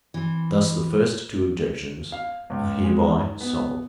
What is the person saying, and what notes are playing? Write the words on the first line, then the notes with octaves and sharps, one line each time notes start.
Thus the first two objections are hereby solved.
E3 C4
F5
C#2
G#3
D#4
B3